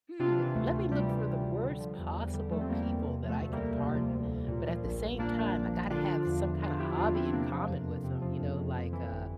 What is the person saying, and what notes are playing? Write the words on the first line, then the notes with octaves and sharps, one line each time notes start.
"Hmm, let me look for the worst possible people that I can pardon, but at the same time, I gotta have some kinda hobby in common with them," you know, like, "Uh
C3 D4 F4
E3
D2 A3
D2
C3 G3
E3
D2
D2
D3
F3
E2
E2
D3 G3
F3 A3
C4
E2 G3 A#3
E2
C3
F3
A3
D2
G3 A#3
D2
C3
F3
D2
D2
A#2
F3
A#1
A#1
A#2 A#3 D4
F3
A#1
A#1
D3 D4 F4
F3
E2
E2
D3 D4 F4
F3 E4 G4
E2 D4 F4
E2 C4 E4
C3 A#3 D4
F3
F2
F2
C3
F3
F2
F2
F2
E3
G1